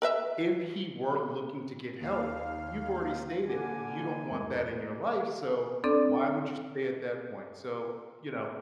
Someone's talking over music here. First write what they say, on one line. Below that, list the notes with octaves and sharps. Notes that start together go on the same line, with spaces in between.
if he were looking to get help, you've already stated, you don't want that in your life, so why would you stay at that point? So, you know
A#4 B4 E5
D#2 F5
D3 A#3 F#5 G#5 D6
D#4 F4
E2 G2 G#3 A#4
C4 D4 A4 D5